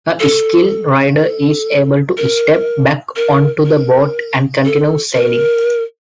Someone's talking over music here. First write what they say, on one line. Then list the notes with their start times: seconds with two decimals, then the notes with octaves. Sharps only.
A skilled rider is able to step back onto the board and continue sailing.
0.20 A4
1.19 A4
2.17 A#4
3.16 A#4
3.65 A#4
4.65 A4
5.14 A#4